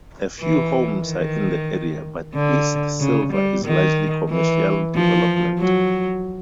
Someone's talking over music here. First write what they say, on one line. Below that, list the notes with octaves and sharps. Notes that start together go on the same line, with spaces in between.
A few homes are in the area, but East Sylva is largely commercial development.
E3
D#3
D3
C#3
G3
D#3
E3
F3
F#3